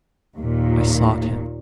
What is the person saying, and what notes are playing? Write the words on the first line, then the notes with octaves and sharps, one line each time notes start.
I sought him.
D#2 A#2